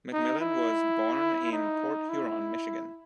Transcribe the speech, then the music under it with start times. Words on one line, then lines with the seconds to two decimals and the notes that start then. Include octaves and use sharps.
McMillan was born in Port Huron, Michigan.
0.13 D#4
0.40 E4
1.52 D#4
2.09 E4